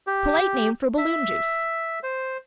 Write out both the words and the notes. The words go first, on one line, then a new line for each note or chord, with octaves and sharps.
A polite name for balloon juice.
G4
E5
C5